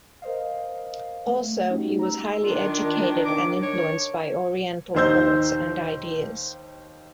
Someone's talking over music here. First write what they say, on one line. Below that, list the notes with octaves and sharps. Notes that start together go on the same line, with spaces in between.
Also he was highly educated and influenced by Oriental thoughts and ideas.
A#4 C5 D#5 F5
A3 A4
A3 C#4 D#4 F#4 G4
A#5 E6
D#3 D4 F4
D6
C#5
D#2 D#3 C5 E6 G6